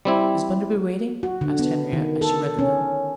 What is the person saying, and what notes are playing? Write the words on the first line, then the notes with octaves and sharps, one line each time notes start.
"Is Bunderby waiting?" asked Henriette as she read the note.
G3 C4 E4
F#4
D3
B3
D#3
A4
C#4